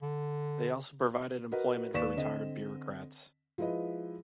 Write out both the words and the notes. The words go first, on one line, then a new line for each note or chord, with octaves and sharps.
They also provided employment for retired bureaucrats.
D3
F#4 A#4 B4 D#5
D#2 B4 D5 C#6 B6 E7
D3 C4 D#5
F3 G#3 E4 B4 D#5